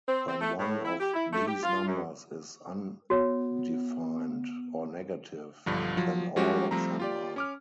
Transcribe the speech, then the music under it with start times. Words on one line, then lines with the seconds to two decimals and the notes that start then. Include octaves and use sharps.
When one of these numbers is undefined or negative, then all of them are.
0.08 C4
0.28 C4
0.41 A3
0.58 A2
0.84 E4
1.01 G4
1.14 E4
1.32 A3
1.47 G4
1.63 F4
1.87 F#2
3.10 B3 F#4 C#5
5.66 B1 G2 D3 F3
5.97 F3 F#3
6.36 F3 G3 G#3 C#4 F#4 G4
6.71 F3 G3 A3 C4 A#5
6.99 F4 G4 D5
7.36 C#4 D6 F6